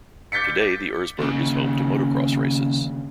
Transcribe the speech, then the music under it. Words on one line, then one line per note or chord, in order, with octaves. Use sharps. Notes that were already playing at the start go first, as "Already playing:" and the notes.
Today the Erzberg is home to motocross races.
D6 G6 A6 B6 C#7
D#2 C#3